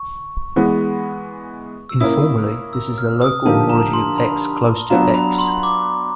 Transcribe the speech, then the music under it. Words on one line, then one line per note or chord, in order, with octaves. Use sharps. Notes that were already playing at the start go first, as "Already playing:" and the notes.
Informally, this is the "local" homology of "X" close to "x".
Already playing: C#6
E3 G#3 B3
E6
A#3 C#4 E4 D#6
E6
F6
D#6
D3 F3 A#3 D#4 G4 A5
A#5
C6
B5
F#3 B3 D4 F4 A#5
B5
C6
D6